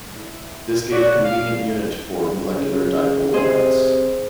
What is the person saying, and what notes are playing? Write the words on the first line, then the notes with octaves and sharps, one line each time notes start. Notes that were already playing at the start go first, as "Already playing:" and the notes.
This gave a convenient unit for molecular dipole moments.
E4
F#4 C#5 D5
F5
C#3
C3 G#4 C5 D#5